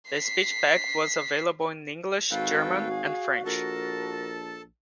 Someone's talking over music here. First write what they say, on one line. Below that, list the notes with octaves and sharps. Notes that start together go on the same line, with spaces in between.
The speech pack was available in English, German and French.
B6 C7
G#1 F#4 A4 B4 F5 G5
G#4
A#1 A4 A#4 A5